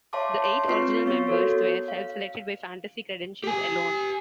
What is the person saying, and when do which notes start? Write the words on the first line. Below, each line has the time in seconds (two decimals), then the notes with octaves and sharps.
The eight original members were self-selected by fantasy credentials alone.
0.13 C#5 E5 F5 A5 C6 D6
0.43 C#5 C6
0.68 C4 F4 B4 C#6 C7
1.06 B3 C#5 F5 C6 C#6 A6
1.27 F#4 A4 A#4 C#5
1.88 F5
3.44 G4 G#5